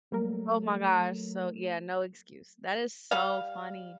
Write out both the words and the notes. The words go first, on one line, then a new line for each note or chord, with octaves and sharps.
Oh my gosh. So, yeah, no excuse. That is so funny.
F#3 G3 A3 A#3 A#4
G3 F5